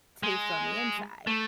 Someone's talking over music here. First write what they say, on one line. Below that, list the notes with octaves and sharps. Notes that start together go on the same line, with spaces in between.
taste on the inside."
G#3
A3